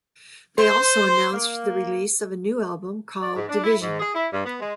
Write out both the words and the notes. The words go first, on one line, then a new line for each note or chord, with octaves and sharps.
They also announced the release of a new album called "Division".
C5
A#3
D5
G#2
D4
E4
G#2
G#4
E4
G2
B3
G#3